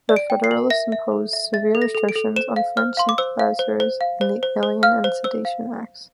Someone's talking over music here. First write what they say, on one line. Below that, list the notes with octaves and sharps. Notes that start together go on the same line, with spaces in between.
The Federalists imposed severe restrictions on French sympathizers in the Alien and Sedition Acts.
D5
D7
G5
C7
A#4
E5 A#6
E5
A4
E5
E5 A6
A4
A#6
A4
D7
A4
C5 E7
F5
C5 F6
F5 C6
D6
C5 E6
F5
C5
C5
F5
C5
C5
C5
F5 F6
C5
C5 E6
F5